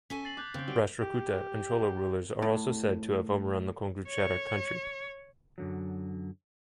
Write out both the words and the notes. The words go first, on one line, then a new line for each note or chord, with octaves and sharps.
Rashtrakuta and Chola rulers are also said to have overrun the Kongu Chera country.
C#4 A4 G#5 B6
A6 C7 F#7
A5 D6 F#6 G6
C#3 C4 G5
F#3 G3 D7 G7
G4
A2
C#5
F#2 D3 F#3